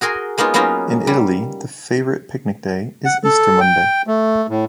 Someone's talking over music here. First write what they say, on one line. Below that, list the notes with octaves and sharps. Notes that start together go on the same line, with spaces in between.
In Italy, the favorite picnic day is Easter Monday.
F#4 G#4 A#4 G#5 C6
G#3 A#3 B3 D#4 F4
F#3 A#3 B3 C#4 D#4 F4
G3
F#5
A4
G5
A3
A2